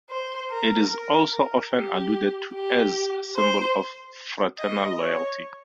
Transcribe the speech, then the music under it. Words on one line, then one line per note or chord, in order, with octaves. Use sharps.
It is also often alluded to as a symbol of fraternal loyalty.
C5
A#4
A#4
A#4
G4
G4
C5
D#5
C#5